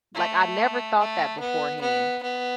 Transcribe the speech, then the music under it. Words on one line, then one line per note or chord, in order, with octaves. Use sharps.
Like, I never thought that beforehand.
A3
A3
B3
B3
B3